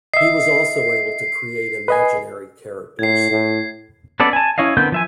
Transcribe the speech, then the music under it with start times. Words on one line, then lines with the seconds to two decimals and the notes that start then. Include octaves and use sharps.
He was also able to create imaginary characters.
0.14 D#5 E5 C7
1.88 B4 D#5 G#5
2.99 A2 G#6 C7
3.31 A2
4.20 B3 C#4 A4 B4 D5
4.33 G#5 A5
4.58 C#4 E4 C#5 D#5 F5
4.77 D3 B3 C4 A#4 G6
4.92 F3 E5 G#5